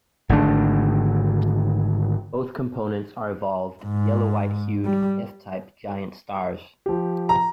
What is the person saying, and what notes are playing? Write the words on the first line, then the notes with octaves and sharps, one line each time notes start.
Both components are evolved, yellow-white hued, F-type giant stars.
G#1 D3 A3 D4
G#2
G3
F3 G4
A#5